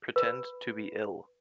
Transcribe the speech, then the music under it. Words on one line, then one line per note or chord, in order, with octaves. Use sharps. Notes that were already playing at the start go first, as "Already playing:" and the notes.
Pretend to be ill.
B4